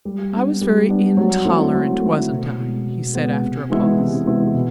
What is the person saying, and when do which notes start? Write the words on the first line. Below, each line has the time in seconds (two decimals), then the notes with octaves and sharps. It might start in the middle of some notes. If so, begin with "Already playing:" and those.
"I was very intolerant, wasn't I?" he said after a pause.
0.05 G3
0.32 B3 D4
0.61 G3
0.89 B3 D4
1.17 F#3
1.45 A3 C4 E4
1.74 F#3
2.02 A3 C4 E4
2.29 B2
2.58 G#3 B3
2.86 B2
3.14 G#3 B3
3.42 C3
3.70 E3 G#3 B3 E4
3.99 C3
4.26 E3 G#3 B3 E4
4.54 B2